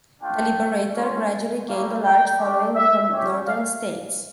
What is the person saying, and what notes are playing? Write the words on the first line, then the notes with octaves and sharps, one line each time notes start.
"The Liberator" gradually gained a large following in the northern states.
A3 D4 F4 G5
C#4 F4
A#3 C#4 E4 G4 F5
G5
A3 D4 G4
E5
C#4 G4
F5